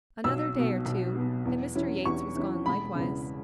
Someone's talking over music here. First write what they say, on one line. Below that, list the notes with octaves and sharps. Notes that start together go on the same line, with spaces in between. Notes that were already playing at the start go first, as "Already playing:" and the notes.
Another day or two, and Mr. Yates was gone likewise.
B1 E6
B2 B3
B1
B2 B3
E2
E3 C#4 E4
E2 C#6
E3 C#4 E4
E1 B5
E2 C#3